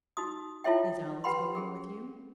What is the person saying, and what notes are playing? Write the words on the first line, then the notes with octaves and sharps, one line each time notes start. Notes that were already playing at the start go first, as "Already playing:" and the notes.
'Is Alice going with you?'
D#4 F#4 D#6
E4 F4 A4 C#5 E5 G5
G4 B4 F#5 G5 B5 C6
C#4 G#4 A#4